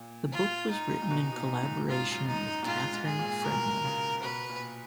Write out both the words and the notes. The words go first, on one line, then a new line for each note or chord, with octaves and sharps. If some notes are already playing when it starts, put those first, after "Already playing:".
The book was written in collaboration with Catherine Fredman.
Already playing: A#2
F4
D#4
A#2
B2
B2
A#2
G#2
F#2 F4
F#2
D#4
A#2
G#2 F4
G#2
G#4
A#2
B2 A#4
C#3
B2 B4
A#2